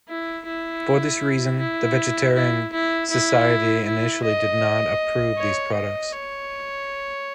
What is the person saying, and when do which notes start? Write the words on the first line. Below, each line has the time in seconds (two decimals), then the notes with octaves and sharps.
For this reason, the Vegetarian Society initially did not approve these products.
0.09 E4
0.46 E4
1.59 E4
2.35 E4
2.73 E4
3.10 E4
3.86 E4
4.24 D#5
5.37 C#5
5.75 D#5
6.13 C#5